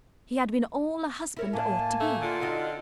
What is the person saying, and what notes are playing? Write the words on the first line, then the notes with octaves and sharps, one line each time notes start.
He had been all a husband ought to be.
E4 A#4 C#5
A2 A#3 D4 G#5 A5
A3
D3 F4
C4 D#4 F#4 D#5